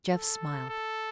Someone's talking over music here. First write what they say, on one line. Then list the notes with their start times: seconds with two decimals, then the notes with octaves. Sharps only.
Jeff smiled.
0.13 A4
0.69 A4